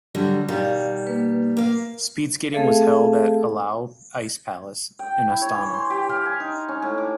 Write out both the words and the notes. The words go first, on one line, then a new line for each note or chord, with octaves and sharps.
Speed skating was held at Alau Ice Palace in Astana.
D3 F#3 G3
B2 D#3 G3 D5 F5
A#3 B4
A#3 F5
A3 C4 G#4 A4 E5 F5
G5
E4
C#5
E3
C6
G4
F5
G#5
D#4
C#4
A2
D6